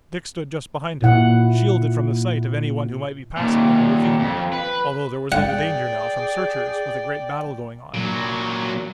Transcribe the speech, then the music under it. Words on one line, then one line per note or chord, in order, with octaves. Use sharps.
Dick stood just behind him, shielded from the sight of any one who might be passing in the ravine, although there was little danger now from searchers with a great battle going on.
A#2 E4 F#5
D#2 A#2
F2
B4
G#4 D5 F#5 G5
A#2 F#3